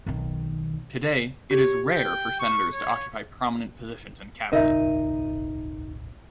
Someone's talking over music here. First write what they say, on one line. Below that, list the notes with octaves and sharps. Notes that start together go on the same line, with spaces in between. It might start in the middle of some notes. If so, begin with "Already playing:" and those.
Today, it is rare for senators to occupy prominent positions in cabinet.
B1 D#3
G4 C#5
G5
C#6
C#5
D#1 G#1 C#2 D#4 A#4 E5